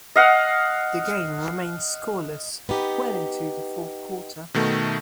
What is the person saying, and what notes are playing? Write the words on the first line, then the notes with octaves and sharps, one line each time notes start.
The game remained scoreless well into the fourth quarter.
D#5 F5 F#5
B3 D#4 G4
B2 D#3 A3